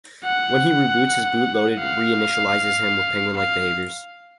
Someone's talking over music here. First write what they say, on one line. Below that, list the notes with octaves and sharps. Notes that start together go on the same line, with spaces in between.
When he reboots, his boot loader reinitializes him with penguin-like behaviors.
F#5
F5
F5